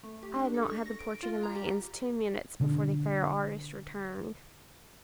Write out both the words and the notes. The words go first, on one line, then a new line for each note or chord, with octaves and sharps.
I had not had the portrait in my hands two minutes before the fair artist returned.
A3
G4
D4
A4
C#6
A#6
D7
F4
A#5
G4
B2 D3 D4